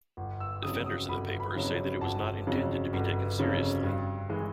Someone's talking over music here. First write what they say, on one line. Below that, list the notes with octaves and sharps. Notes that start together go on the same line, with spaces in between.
Defenders of the paper say that it was not intended to be taken seriously.
G1
E6
F2 C#3 F#3 D#6
D#6
G1 B5
B5
F2 C#3 F#3
G1 A5
F2 C#3 F#3
G1
F2 C#3 F#3
G2
E3 G#3